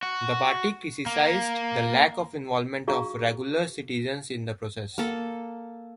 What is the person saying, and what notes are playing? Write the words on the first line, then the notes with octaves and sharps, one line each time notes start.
The party criticized the lack of involvement of regular citizens in the process.
F#4
A#3
D4 F#4 G#4 F5 A#5 C#6
A#3 A4